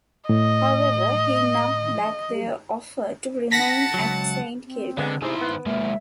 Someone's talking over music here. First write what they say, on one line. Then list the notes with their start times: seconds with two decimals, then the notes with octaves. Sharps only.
However, he knocked back their offer to remain at Saint Kilda.
0.29 A2 D#5
3.51 F#5 A5 A#6 B6
3.94 C#2 F#3
4.66 C4
4.98 D3 G#3 B3
5.22 C3 D#3 E4 G#4 C5
5.41 B3
5.67 G#2 A#3 E5